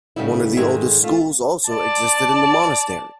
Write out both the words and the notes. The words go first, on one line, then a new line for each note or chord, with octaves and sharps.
One of the oldest schools also existed in the monastery.
A2 C#3 G3 B3 D#4 E4
G#2 D3 D#3 G#3 E5 G#5
A3 F4
D5 A5